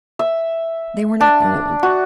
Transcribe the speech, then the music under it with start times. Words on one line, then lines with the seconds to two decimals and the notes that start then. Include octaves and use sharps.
They were not old.
0.19 E5
1.20 D4
1.83 F#4